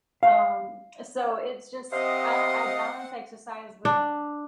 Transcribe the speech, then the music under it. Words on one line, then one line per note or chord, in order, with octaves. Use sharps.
um, so it's just uh, I balance exercise with
F5
C3 C4 D#5 F5 F#5
D4